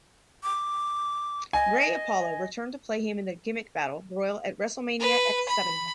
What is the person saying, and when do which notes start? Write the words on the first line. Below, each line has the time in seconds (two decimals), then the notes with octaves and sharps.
Ray Apollo returned to play him in the Gimmick Battle Royal at WrestleMania X-Seven.
0.43 D6
1.53 D#5 G#5
5.00 B4
5.49 B5